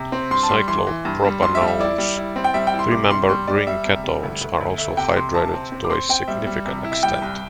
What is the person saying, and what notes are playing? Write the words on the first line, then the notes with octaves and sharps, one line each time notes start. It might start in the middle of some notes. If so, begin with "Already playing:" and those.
Cyclopropanones- three-membered ring ketones- are also hydrated to a significant extent.
Already playing: C3
C4
G2 C6
A5
G3 C6
E3 C6
E3
G2
G3
G2 C6
E5
G3
E5
E4 D5
G3
E4
C4
G5
G3 E5
G5
E4
C6
C3 D6
G3 C6
G3 C6
G3 D5
G3 E5
C3
G3
D2
D2
D2
A3 E5
C3 G5
C3 C6
C3 A5
C4
C4
D6
C4 C6
C4 G5
G3 E5
G3
C3
E4
E5
G3 G5
C2